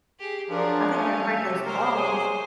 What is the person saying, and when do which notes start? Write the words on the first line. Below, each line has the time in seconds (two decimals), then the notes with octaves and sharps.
I think they're afraid of those claws.
0.19 G4 G#4
0.50 F3 F#3 D4 G#4 A#4 D5
0.94 A3 C#4 F5 G#5
1.34 C3 E5
1.65 A#4 C5 C#5 D6
1.96 G#4